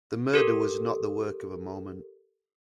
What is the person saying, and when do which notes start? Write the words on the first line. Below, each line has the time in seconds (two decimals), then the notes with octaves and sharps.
The murder was not the work of a moment.
0.34 G4 A4 A#4